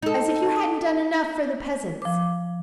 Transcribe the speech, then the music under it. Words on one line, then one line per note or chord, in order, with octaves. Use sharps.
As if you hadn't done enough for the peasants!
D#4 A4
F3 D6